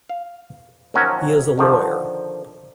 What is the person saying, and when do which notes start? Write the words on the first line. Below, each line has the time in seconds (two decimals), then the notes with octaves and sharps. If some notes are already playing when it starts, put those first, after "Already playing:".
He is a lawyer.
0.09 F5
0.94 D#2 F3 F#3 C#4 F#4 A#4
1.58 D3 D#3 F3